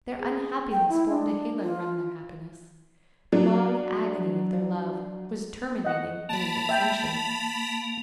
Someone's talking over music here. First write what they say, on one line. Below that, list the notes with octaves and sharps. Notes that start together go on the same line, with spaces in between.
Their unhappiness formed a halo round their happiness. The long agony of their love was terminating in an ascension.
G#4
G5
E4
D4
F4
F#3 D4
D#5 F#5
A#3 A5 B5
E5 G5